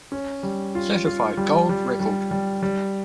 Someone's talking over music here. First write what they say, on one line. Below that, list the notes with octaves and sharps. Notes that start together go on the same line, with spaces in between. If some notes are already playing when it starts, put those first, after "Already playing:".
Certified Gold Record.
C#4
G3
F4
F4
G3
G3
G3
G3
G3